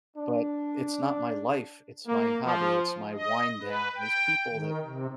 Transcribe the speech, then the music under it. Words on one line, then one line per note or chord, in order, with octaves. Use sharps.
but it's not my life, it's my hobby, it's my wind-down these people that
D4
A#3
F3
D#5
B4
G5
D#3
C3